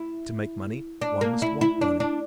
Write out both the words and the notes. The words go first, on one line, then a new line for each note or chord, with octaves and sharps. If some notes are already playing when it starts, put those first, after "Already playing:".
To make money one must want money.
Already playing: E4
D4
A#3
E4
E4
D4
D4